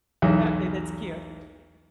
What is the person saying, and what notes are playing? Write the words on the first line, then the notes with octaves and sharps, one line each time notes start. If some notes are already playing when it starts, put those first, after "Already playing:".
Okay. That's cute.
B1 E2